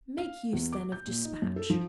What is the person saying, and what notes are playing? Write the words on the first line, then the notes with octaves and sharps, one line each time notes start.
Make use then of despatch.
F5
E2
D6
G6
A#2
D#4
F#2
A4
F3